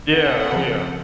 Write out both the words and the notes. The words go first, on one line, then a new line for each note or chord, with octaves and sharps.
Yeah, oh, yeah.
C4 A4 F#5
C#3 F3